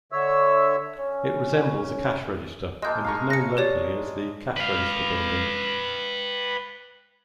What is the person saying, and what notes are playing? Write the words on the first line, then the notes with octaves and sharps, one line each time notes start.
It resembles a cash register and is known locally as the "Cash Register Building".
D3 C#5 E5 E6
C#4
G#3 A#3 D#5 A5 G6
F5 A#5 C#6
A#6 C#7
G4 C#5 D5
B4 F5